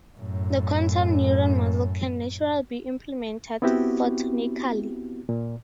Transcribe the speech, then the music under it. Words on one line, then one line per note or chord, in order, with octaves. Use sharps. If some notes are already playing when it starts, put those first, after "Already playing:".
The quantum neuron module can naturally be implemented photonically.
F#2 A2
B3 C4 E4 F#4 G4
A#2